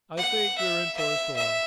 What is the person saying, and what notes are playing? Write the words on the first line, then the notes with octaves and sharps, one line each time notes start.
"I think we're in for a storm."
F#5
E5
E5
E5